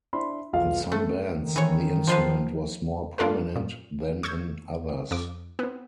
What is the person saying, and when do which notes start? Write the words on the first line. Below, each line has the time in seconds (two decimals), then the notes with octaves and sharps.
In some bands, the instrument was more prominent, than in others.
0.13 D4 E4 C5 E5 B5 C6
0.53 B1 E2 F4 F5
0.92 A3
1.39 D#3
1.56 E3 C#5
2.07 F3 F4 B4
3.18 A#3 D4 F4 A4 B4
3.56 A#2
4.23 C#6 E6 G6 G#6
5.11 F2 D6
5.59 B3 C4